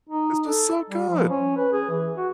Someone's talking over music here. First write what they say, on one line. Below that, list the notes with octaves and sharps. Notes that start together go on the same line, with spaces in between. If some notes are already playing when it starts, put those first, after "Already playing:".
this was so good.
D#4
A4
G3
F3
C#4
B4
G#4
E3
F#4